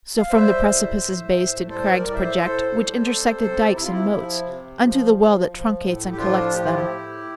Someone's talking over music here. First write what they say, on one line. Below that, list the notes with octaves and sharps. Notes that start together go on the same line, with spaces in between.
So from the precipice's base did crags Project, which intersected dikes and moats, Unto the well that truncates and collects them.
F5
G3 C5 E5
A2
A2
A2
G3 A4 C5
A#4 D5
A2
D5
C5 E5
A2 A4 C5
G3
C3
C3
C3 E4
F4
E4
F3 E4
C3
F3
F3
F3
A2
G4
F3 D4 F4
A2 G4
F4
E4 G4
A2